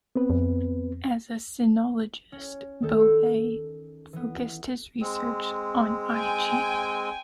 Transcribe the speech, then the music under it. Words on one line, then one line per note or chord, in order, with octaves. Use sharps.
As a sinologist, Bouvet focused his research on "I Ching".
B3 C4 B4
F2
C#4
D#3 A4 G6
E3 B3
G#3 C4
G5 G#5